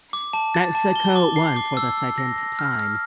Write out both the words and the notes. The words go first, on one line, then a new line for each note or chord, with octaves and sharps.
Mexico won for the second time.
D6
A5
A6
A5
G7
D6
C7
D6
E6
E6
A#6
A#6
F6
F6